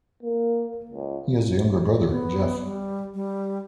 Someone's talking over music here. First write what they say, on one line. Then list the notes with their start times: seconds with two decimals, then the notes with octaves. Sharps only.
He has a younger brother, Jeff.
0.23 A#3
0.91 C#2
2.09 B3
2.65 G3
3.14 G3